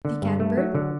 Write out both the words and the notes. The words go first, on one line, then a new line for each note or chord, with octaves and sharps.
The Cat-bird.
D3
G2
A3
F#3
D3